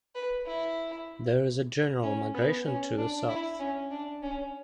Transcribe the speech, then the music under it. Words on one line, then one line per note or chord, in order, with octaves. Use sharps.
There is a general migration to the south.
B4
E4
C#4
B3
C#4
D4
E4
C#4
D4
C#4